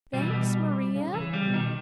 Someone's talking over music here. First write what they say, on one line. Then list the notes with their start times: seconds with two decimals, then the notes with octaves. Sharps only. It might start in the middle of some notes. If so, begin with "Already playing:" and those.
"Thanks, Maria."
0.13 B2 G3
0.21 E3
0.31 G3
0.94 C#3
1.14 E3
1.21 C#3
1.33 G3
1.47 B2
1.54 D#3